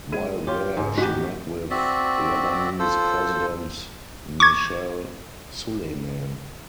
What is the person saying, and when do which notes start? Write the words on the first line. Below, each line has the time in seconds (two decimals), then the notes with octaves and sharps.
While there she met with Lebanese president Michel Suleiman.
0.12 G#3 G#6 D#7
0.47 F4 G4 C#5 C6
0.77 G#2
0.97 A1 D#4 F#4 G4 B6
1.71 C4 F#4 D5 E5
2.79 F4 A4 C5 E6
4.40 C#6 D6 G#6